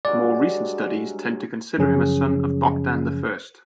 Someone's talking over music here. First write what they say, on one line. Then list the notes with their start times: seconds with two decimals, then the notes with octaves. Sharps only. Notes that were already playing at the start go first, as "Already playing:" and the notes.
More recent studies tend to consider him a son of Bogdan the First.
0.05 G2 F#3 G#3 D5
1.78 F#2 C#3 F3 C#4 G#4